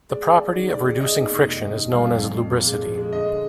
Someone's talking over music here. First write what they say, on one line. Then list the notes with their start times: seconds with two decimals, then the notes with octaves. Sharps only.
The property of reducing friction is known as lubricity.
0.10 G#3 D5
0.25 G#3 D5
0.41 G#3
0.55 D#3
0.71 G#3 D5
0.86 D#2
1.00 G#3 D#5
1.16 D#3
1.31 F1
1.46 F1
1.61 D#3
1.76 F1
1.92 G3 F5
2.06 F2
2.22 F2
2.37 F2
2.52 A#2
2.67 G#3
2.83 F3
2.97 G#3
3.13 D3 D#5
3.28 D3